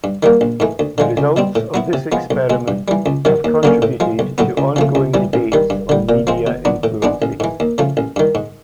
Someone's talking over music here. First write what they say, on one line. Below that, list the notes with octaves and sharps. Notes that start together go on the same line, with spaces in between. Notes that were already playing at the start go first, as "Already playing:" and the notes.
The results of this experiment have contributed to ongoing debates on media influences.
G2
D#3 G3 A#3
A#1
G#2 E3 A3
D2
D3 F3 G#3
C#2
B2 G3 C4
A2
F#3 B3 E4
C3
F3 G#3 B3
B1
B2 G#3
G2
E3 G3
C#2
C3 D#3 F#3
D#2
D3 F#3 A#3 C#4
A2
F3 G#3
B1
A2 F#3 B3
C#2
C#3 F3 A3
C#2
C3 E3 G3
A1
G2 D#3 G3
G2
D3 G3
A#2
F3 G#3 C4
B2
F#3 B3 D4
A2
E3 G#3 B3 D4
A1
G#2 E3
D#2
C#3 F3 A3
A1
G2 D#3
G#2